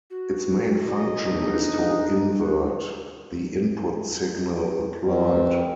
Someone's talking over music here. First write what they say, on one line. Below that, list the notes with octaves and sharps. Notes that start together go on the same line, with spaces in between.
Its main function is to invert the input signal applied.
F#4
D#5
D4 D#4
F2